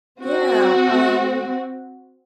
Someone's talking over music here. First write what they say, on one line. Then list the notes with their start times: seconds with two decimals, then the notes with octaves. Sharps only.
Yeah, um,
0.23 C4 F#4